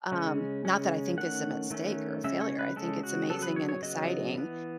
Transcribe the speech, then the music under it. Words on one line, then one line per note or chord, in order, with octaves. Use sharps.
Um, not that I think this a mistake or a failure, I think it's amazing and exciting.
C#3 G#3 C#4
C#3 G#3 C#4
D#3 A3 C#4 F#5
D#3 A3 C#4
C#3 G#3 C#4 E5
C#5
B4
C#3 G#3 C#4 A4
F#4
C#3 F#3 B3 A4
B4
C#5
C#5
C#3 F#3 B3 D#5
E3 B3